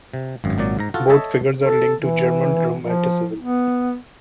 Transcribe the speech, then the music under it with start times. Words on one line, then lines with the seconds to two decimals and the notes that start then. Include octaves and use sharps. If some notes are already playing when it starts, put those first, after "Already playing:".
Both figures are linked to German Romanticism.
0.14 C3
0.44 G#1 F#2
0.58 G#1 A#2 F#3 D5
0.79 G#2 A#5
0.94 F4 F#4 A4
1.09 A4 C#5 D#5 E5 A5
1.62 A4
1.99 E3
2.83 F3
3.39 B3